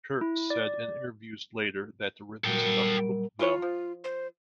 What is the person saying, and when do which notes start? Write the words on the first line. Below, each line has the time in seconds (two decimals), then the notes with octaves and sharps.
Peart said in interviews later that the rhythm stuck with them.
0.21 E4
0.50 D5
2.44 A#2 F#3 G3 A4 G5
3.39 E3 E4 F4 C#5
3.62 F3
4.04 C5